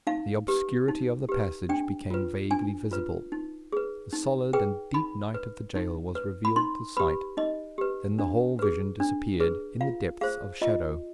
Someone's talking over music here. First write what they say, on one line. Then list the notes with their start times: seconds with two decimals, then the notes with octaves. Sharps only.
The obscurity of the passage became vaguely visible. The solid and deep night of the jail was revealed to sight; then the whole vision disappeared in the depths of shadow.
0.07 D#4 F5
0.48 G4 B4
0.88 D#4
1.29 G4 B4
1.69 D4 G5
2.10 F4 B4
2.51 D4 G#5
2.91 F4 B4
3.32 D#4
3.72 G#4 B4
4.13 D#4
4.53 G#4 B4 G5
4.94 D#4 B5
5.34 B4
5.75 D#4
6.15 B4
6.45 B5
6.56 D#4 C6
6.97 G4 B4 B5
7.37 D#4 D#5
7.78 G4 B4
8.19 D4
8.59 G#4 B4
9.00 D4
9.40 G#4 B4
9.81 F4 F5
10.21 G#4 C5 F5
10.61 F4 D#5